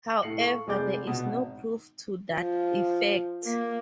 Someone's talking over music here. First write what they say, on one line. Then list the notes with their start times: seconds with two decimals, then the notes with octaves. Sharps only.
However, there is no proof to that effect.
0.22 A2 A4 C7 C#7 F#7
0.40 A4 F5 C#6
0.67 F1 G#3 D5 D6 G6
1.07 B2 B3
1.27 G#1
2.33 F3
3.44 A#3